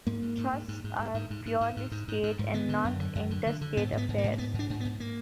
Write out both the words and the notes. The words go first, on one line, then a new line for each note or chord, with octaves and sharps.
Trusts are purely state, and not interstate affairs.
G#2 A#3
G#2
G#2
G#2
G#2
G#2
G#2
G#2
G#2
G#2
G#2
G#2
G#2
G#2
G#2
G#2
D3 B3
D3
F#2
D3
F#2
D3
D3
D3
G#2 B3
G#2
B3
G#2
A#3
G#2
A#3
G#2 B3
G#2
D4
G#2
B3
G#2
A#3